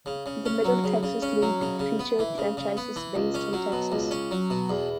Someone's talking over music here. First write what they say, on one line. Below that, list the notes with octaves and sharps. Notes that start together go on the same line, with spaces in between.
The Middle Texas League featured franchises based in Texas.
C#3
C#3
C#4
F#3
C#3
C#3
C#4
F#3
C#3
C#3
B3
E3
C#3
C#3
B3
E3
C#2
C#4
F#3
B2
C#2
C#4
F#3
B2
E2